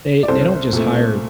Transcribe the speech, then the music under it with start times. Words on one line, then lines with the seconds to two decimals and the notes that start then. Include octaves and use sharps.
they they don't just hire
0.23 D5
0.28 C2 A4 C5
0.73 A#2 A3